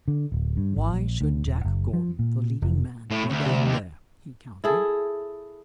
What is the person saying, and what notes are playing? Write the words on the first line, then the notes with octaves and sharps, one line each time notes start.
"Why should Jack Gordon, the leading man, be down there?" he countered.
D3
D1
G2
G#1
A#1
D2
D#1
F#1
F3
A#2
F1
A2
D2
C3
D#2
E4 G#4 A4